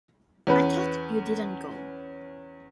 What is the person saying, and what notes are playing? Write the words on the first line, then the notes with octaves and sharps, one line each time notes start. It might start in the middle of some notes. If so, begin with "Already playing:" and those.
I thought you didn't go.
E2 C#4 B4